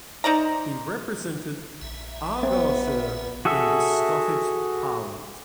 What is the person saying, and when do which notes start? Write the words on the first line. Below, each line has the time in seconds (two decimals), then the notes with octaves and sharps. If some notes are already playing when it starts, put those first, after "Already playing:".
He represented Argyllshire in the Scottish Parliament.
0.24 D#4 C5 D5 A#5
1.82 A#1 E5
2.43 B3 C4
3.45 F#4 G#4 A4 E5